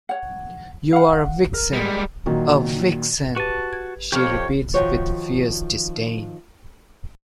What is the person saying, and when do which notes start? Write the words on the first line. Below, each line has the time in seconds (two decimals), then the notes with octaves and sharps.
"You are a vixen, a vixen!" she repeats with fierce disdain.
0.09 C#5 F#5
0.93 F5 F#5
1.54 A#4
1.73 G3 G#3
2.26 A#2 D#3 F#3
3.36 F#4 G4 B4 A5 D#7
3.73 G#6
4.12 F2 G4 C#5 C#6 F6
4.74 D#3 F3 F#4 C5 C#5